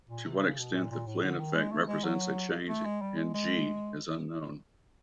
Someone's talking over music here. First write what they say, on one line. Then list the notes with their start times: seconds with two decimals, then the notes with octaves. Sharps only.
To what extent the Flynn effect represents a change in "g" is unknown.
0.10 A#2
0.26 C3
0.42 C#3
0.59 B2
0.75 A#2
0.91 A#2
1.07 A2
1.24 D3
1.39 D#3
1.55 G#3
1.72 A3
1.88 G#3
2.04 F#3
2.69 A3
2.85 G#3
3.02 G3
3.18 G#3
3.34 G#3